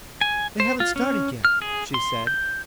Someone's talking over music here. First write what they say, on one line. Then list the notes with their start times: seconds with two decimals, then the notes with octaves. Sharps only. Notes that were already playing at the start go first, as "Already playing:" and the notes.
"They haven't started yet," she said.
0.21 G#5
0.60 C5
0.80 F4
0.96 C#4
1.45 F6
1.62 G#4
1.94 C6
2.27 G6